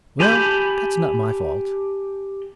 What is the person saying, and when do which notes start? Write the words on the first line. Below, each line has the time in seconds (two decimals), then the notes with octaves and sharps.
"Well, that's not my fault."
0.20 G4 G#5 A5 B5 G6